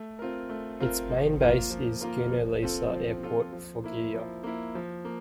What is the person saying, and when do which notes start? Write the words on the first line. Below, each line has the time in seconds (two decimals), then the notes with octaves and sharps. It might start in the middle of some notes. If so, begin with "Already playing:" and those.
Its main base is Gino Lisa Airport, Foggia.
Already playing: A3
0.19 C4 F4 A#4
0.49 A3
0.80 C4 F4 A#4
1.10 F3
1.40 A#3 F4 A#4
1.70 F3
2.01 A#3 F4 A#4
2.31 F3
2.63 C4 F4 A4
2.93 F3
3.23 C4 F4 A4
3.53 F3
3.84 A#3 E4
4.14 F3
4.44 A#3 E4
4.75 F3
5.05 A#3